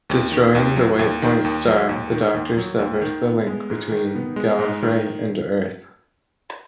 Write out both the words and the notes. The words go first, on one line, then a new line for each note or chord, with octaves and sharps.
Destroying the White Point Star, the Doctor severs the link between Gallifrey and Earth.
D#2
D#3
D#2
F#3
D#2
D#3
D#2
F#3
D#2
D#3
D#2
F#3
D#2
D#3
B3
G#3
G#2
D#3
B3
G#3
G#2
D#3